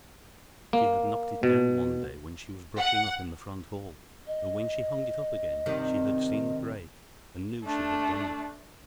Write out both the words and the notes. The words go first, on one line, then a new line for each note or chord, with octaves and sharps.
She had knocked it down one day when she was brushing up in the front hall, and when she hung it up again, she had seen the break, and knew she had done it.
A#3
B2
F#5
D#5
G2 C3 D#3
A3 D4